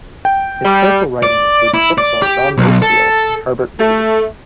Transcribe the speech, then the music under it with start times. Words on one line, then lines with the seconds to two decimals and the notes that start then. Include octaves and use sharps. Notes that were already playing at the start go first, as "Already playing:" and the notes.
His critical writing includes books on John Masefield and Herbert Read.
0.25 G5
0.65 G3
1.23 D5
1.74 E4
1.98 D5
2.22 G4
2.58 B1
2.82 A4
3.79 A3